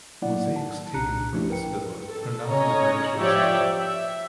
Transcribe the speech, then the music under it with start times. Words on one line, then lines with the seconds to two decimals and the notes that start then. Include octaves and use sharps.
Mosaics taken from this villa are now in the British Museum.
0.22 F#3 A#3 D4 E4 D5 F#5
0.56 A5
0.94 C2 A#2 D4 A#5 F#6 C#7
1.34 F3 A3 C#4 D4 E4 G4
1.50 A#4 B4 G5 C#7
2.09 A4
2.49 C#4 C#5 D#5 A#5
3.17 F3 G4 C#5 D5 E5 G5
3.79 E5